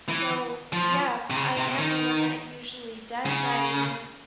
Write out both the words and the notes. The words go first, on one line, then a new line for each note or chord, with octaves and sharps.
So, yeah, I am the one that usually does that, and have
E3
F3
C3
C#3
C3
D#3
C#3